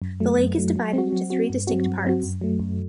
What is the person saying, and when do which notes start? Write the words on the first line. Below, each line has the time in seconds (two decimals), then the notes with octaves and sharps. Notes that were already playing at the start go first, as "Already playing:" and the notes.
The lake is divided into three distinct parts.
0.02 F#2
0.20 F#3 A3
0.38 F#2
0.57 F#3 A3
0.76 F#3
0.93 C4 F#4
1.12 F#3
1.30 C4 F#4
1.50 G2
1.67 F#3 C4 F#4
1.86 G2
2.05 F#3 C4 F#4
2.23 F#2
2.41 F#3 A3
2.60 F#2